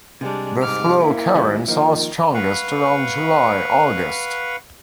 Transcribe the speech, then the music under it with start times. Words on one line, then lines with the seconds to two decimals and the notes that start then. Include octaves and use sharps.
The flow currents are strongest around July-August.
0.21 C3 G3 G#3 D4
0.62 G#2 D6 F6
1.00 A#3 E4
1.35 D#3 G3 B3
1.68 D#3 F3 A#3
2.34 B4 F5 F#5 B5 C#6